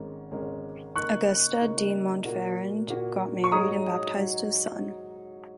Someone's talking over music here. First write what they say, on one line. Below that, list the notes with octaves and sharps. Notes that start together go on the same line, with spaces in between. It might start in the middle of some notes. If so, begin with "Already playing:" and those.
Auguste de Montferrand got married and baptized his son.
Already playing: G#1 G#2 G#3 C#4 A#4
G#1 G#2 G#3 C#4 A#4
C#3 A#3 D#4 A#4 C#6 F#6
C#3 A#3 D#4 A#4
A#2 A#3 F#4
A#2 A#3 F#4
C#6
G#2 F#3 D#4 G#4 C#5 A#5 D#6
F#3 D#4